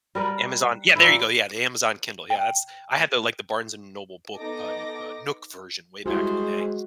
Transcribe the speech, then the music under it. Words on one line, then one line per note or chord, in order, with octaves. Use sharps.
Amazon Yeah, there you go, yeah, the Amazon Kindle, yeah, that's I had the like, the Barnes& Noble book, un uh, Nook version, way back in the day.
G3 A#4 B4
A#2 E3 E4
G5
B3 D#4 A4 D#5 D6 A#6
G3 G#3 E4 F#4 G#4 C5